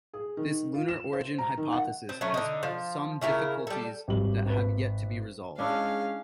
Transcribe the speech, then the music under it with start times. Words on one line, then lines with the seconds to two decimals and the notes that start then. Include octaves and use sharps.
This lunar origin hypothesis has some difficulties that have yet to be resolved.
0.14 G#4
0.37 D#3
0.74 F4
0.88 E7
1.13 C5
1.38 A#5
1.57 D#3
1.73 F#5
2.09 C4
2.21 F#3 A3 C#4
2.34 D3 D#4
2.63 F3
3.21 C#3 E4 G4 A#4
3.67 G3 A4
4.08 G#1 G3 G4 F#7
4.46 G#1 B4
5.59 G#3 C#4 D4 E4 F5